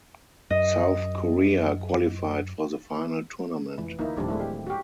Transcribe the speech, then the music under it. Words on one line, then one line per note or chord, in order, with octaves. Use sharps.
South Korea qualified for the final tournament.
F#2 D#5
F1 E3
D2 A#3 D#4 E4
D1 D#3 F3 G3 D4
G#3 A3 E4
G4
F#4 G4